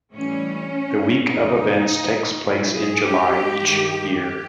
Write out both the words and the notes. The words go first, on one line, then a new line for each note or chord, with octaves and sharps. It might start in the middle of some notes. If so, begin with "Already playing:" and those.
The week of events takes place in July each year.
A2 E3 G3 C#4
F2 C#3 E3 G#3 D#4
A#2 F#3 E4
G#4
G4
G2 D#3 G#3
G4